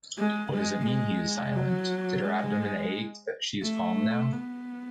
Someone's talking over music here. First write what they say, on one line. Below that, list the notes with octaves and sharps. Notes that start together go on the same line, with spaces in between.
What does it mean he is silent? Did her abdomen ache that she is calm now?
G#3
G#3
G#3
F#3
G#3
A3
B3